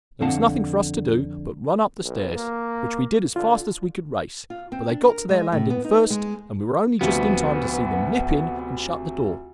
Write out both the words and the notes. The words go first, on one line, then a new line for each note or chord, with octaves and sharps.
There was nothing for us to do but run up the stairs, which we did as fast as we could race; but they got to their landing first, and we were only just in time to see them nip in and shut the door.
F2 D3 C4 F5 F#5 A5
B1
A#3
D3 F4
F4
C4
D4
A#4
G#3
A2
B3
D#4
G#3
D2 C3 F3 B3